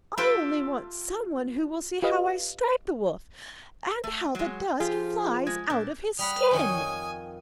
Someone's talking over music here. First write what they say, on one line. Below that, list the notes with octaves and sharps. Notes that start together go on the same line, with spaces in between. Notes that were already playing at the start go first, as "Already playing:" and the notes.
I only want someone who will see how I strike the wolf and how the dust flies out of his skin.'
F4 G4 A4 E5 G5
F4 G4 B4 D#5 F5
A3
F#3 G#3
F3 F4 G4 G#4
G#3 G#6
A#2 D4
G3 F#5 B5 D#6 F6
F2 D#3 C#5 G#5